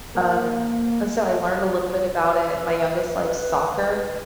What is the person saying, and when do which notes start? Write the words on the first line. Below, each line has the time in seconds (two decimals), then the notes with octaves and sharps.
um, and so I learned a little bit about it. My youngest likes soccer,
0.15 A#3
2.16 B4
3.23 B4